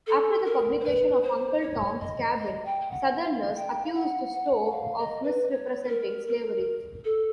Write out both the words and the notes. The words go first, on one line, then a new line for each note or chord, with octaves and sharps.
After the publication of "Uncle Tom's Cabin", Southerners accused Stowe of misrepresenting slavery.
A4
A#4
C5
B4
C5
C#5
D#5
D#5
G5
F#5
F5
E5
F5
G5
F5
F#5
F#5
F5
D#5
B4
C#5
B4
A#4
A#4
A4